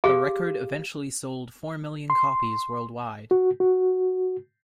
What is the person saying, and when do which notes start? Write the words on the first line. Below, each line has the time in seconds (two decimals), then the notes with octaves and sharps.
The record eventually sold four million copies worldwide.
0.04 G4 G#4 F5
2.10 C6
3.31 F#4
3.60 F#4